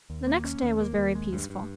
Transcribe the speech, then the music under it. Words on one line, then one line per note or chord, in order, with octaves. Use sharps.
The next day was very peaceful.
D#2
A#3
C#4
D#2
A#3
D#2
G#3
G2
G2